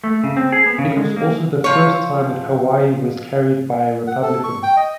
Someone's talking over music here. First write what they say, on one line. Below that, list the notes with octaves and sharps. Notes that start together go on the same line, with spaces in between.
It was also the first time that Hawaii was carried by a Republican.
A3
C#3
C4
G#4
B3
C#3
G#3
A#3
F3 C#5
F#5
A4
C#6
G5
D#5